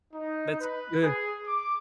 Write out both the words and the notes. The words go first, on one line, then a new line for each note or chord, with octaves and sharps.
That's ugh.
D#4
B4
G#4
D6